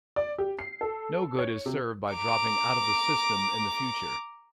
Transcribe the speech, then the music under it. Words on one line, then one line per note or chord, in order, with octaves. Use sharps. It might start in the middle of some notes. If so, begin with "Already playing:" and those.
No good is served by dropping out of the system in the future.
D5
G4
C7
A4
C#5
C3
A#5 D6